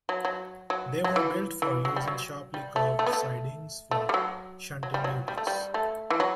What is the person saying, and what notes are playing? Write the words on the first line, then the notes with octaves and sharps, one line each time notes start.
They were built for use in sharply curved sidings for shunting duties.
F#3
F#3
F#3
F#3
E3
E3
F#3
G3
F#3
G3
A3
A3
B3
A3
A3
G3
F#3
F#3
G3
F#3
G3
A3
G3
A3
E3
F#3